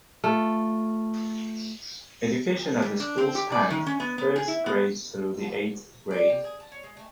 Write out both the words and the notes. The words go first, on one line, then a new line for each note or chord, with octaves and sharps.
Education at the school spanned first grade through the eighth grade.
A3 F4
G3
D4
C4
G4
D5
D#3
C#4
B3
B3
G#4
E4
B3
D5
C3
G#4
A5
C#5
G#3
A3